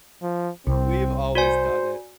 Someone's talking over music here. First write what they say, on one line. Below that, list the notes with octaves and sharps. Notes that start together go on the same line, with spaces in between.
we've always done it.
F3
C2 C4
F#4 C5 D5 G#5